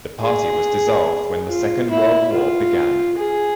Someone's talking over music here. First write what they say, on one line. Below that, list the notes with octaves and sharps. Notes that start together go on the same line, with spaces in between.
The party was dissolved when the Second World War began.
G#4
F4
E4
F4
G#4